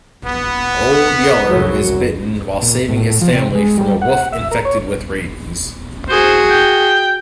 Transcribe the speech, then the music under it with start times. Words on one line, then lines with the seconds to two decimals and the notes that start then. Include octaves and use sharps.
Old Yeller is bitten while saving his family from a wolf infected with rabies.
0.25 B3
1.46 C2 F#2 F#3
2.62 A#2
2.89 A2
3.21 F3
3.33 C3
3.55 G#3
3.78 G3
4.02 F#5
4.32 E5
4.51 A#4
4.65 C#5
6.08 F#4 G#4 C5
6.50 G5